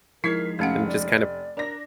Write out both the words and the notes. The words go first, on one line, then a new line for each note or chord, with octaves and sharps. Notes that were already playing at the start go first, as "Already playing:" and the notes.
And just kind of
F3 G#3 D#4 E4 A#4 G#6 B6 C7
F1 A3 C#4 F5 F#5 C#7
D5
D4 A#4 A#6